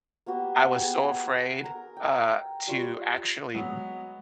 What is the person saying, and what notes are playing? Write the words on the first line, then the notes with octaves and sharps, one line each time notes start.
I was so afraid, uh, to actually d
A#3 B3 F#4 G4
B3 G#4
A#4 A#5
G5
G3 F4 C#6
F#3 G#3 B3